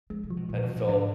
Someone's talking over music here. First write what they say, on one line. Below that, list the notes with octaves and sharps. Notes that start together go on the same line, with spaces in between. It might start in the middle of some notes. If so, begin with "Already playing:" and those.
had to fill
F3 G#3
C3
F3
B2
A#2 F3
B2
F3
A#2
G#2 D3